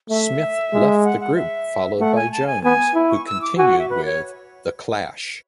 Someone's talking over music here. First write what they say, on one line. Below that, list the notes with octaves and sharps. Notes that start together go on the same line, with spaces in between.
Smyth left the group followed by Jones, who continued with The Clash.
A3 E5
G#3
F#5
F#5
E5
A3 F#5
G#5
A5
G#5
B3 G#5
E4
C#6
E6
D6
F#4 G#5
F#5
E5
B4
C#5